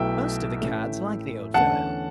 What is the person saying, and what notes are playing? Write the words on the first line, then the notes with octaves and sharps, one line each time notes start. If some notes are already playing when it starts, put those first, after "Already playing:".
Most of the Cads like the Old Fellow.
Already playing: B1 B2 A3 E4 E5 G5
A1 A2 E3 A3
E2 D3 A3 C#4 F#5 A5